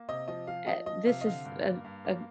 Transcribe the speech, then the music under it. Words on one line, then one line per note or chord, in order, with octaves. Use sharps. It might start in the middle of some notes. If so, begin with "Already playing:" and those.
uh, this is a a
Already playing: A#3
C3 D#5
F3 D#5
F3 F5
F3 D#5
F3 D#5
C3 F5
D#5
D3 F5
G2
A#3
G2
A#3